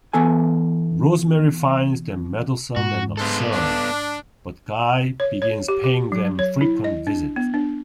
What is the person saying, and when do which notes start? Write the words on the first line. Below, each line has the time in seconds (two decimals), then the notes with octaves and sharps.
Rosemary finds them meddlesome and absurd, but Guy begins paying them frequent visits.
0.13 E3 B3 A4 G#5
2.76 G#2 F#4
3.17 D3 G#3 B3 A4 C5
3.51 D4
5.20 C#5
5.42 C#5
5.68 G4
5.84 G4
6.12 F#3
6.39 C#5
6.61 E4
6.84 D#5
7.07 D4
7.36 B3
7.54 D4